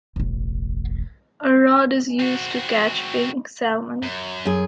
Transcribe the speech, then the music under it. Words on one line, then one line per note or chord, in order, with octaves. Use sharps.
A rod is used to catch pink salmon.
E1 A1
C4 F#4
F#2
F#2 G#4